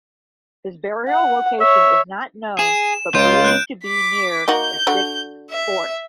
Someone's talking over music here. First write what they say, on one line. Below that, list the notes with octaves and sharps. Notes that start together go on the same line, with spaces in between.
His burial location is not known but believed to be near the Sixth Fort.
F#5
C#5 E5
G#4 E7
C#2 F4 G6 D7
F#6 G6 D7
D6 B6
A#3 D#4 F#4 G6
D3 F#4
E5